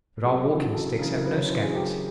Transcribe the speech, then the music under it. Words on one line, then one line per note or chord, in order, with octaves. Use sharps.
But our walking-sticks have no scabbards.
F#2 G#4
C#3 E3
F#2 A4
C#3 E3 A#4
A#4
F#2 B4
C#5
C#3 E3 C5
G#4
F#2 G4